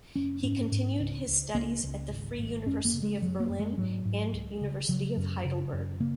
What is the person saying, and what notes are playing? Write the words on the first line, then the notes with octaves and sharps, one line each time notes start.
He continued his studies at the Free University of Berlin and University of Heidelberg.
F#1 C#4
G#2 C#4
G#2
C#2
C#2
C#2 A#3
C#2
G#1
G#1
F#2 C#4
A#3
C#3
G#3
F#1 F#3
A#3
F#2
G#3
G#2 F#3
G#2
C#2
C#3
C#3 F#3
F#2
C#3
F#2
C#3 A#3